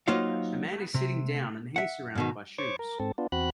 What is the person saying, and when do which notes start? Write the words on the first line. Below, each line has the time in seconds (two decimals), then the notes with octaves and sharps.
A man is sitting down and he is surrounded by shoes.
0.08 F#3 A#3 D#4 F4 C5 F5
0.94 C3
1.76 E5 F#5
2.15 G#2 B2 D#3
2.58 C5 C#5 C#6 D6
2.79 A#4
3.00 G#2 C4 A4
3.18 B3 D4 F4
3.32 E2 C4 F#4 B5 F#6